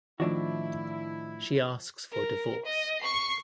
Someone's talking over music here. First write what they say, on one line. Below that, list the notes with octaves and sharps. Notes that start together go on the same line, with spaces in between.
She asks for divorce.
A2 D#3 F3 D4 E4 F#4
A#4
D#5
C#6 C7